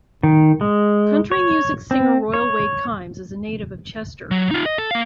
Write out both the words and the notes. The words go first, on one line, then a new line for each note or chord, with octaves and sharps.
Country music singer Royal Wade Kimes is a native of Chester.
D#3
G#3
C#5
C4
C#5
F#3
D#4 F4
D#5
A4
A#3 F5